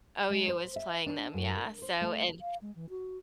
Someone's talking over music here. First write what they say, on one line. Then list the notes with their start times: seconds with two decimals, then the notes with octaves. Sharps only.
OU was playing them, yeah, so, and
0.30 G#3
0.48 C5
0.76 E5
1.06 D4
1.34 F#2
1.57 A#4
1.82 C5
2.01 A3
2.41 F5
2.62 G#3
2.76 E3
2.90 F#4